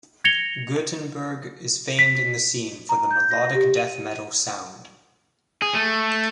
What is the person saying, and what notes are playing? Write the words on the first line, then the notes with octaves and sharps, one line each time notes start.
Gothenburg is famed in the scene for the "melodic death metal" sound.
G#6 A#6 C#7 F7 G7
B6
A#5
G6
A#6
G4
D#7
G#4
A3